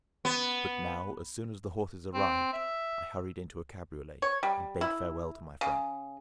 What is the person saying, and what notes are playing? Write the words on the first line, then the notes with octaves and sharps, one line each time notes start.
But now, as soon as the horses arrived, I hurried into a cabriolet, and bade farewell to my friend.
B3
C4
E5
C#5
G3
E4
C#3